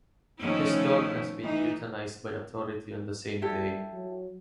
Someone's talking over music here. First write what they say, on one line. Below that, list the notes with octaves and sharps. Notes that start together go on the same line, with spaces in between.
His dog has been euthanised by authority on the same day.
D#3 F3 A3 C#4 E4
E3 D#4
G3 E4 G4 A4
F#3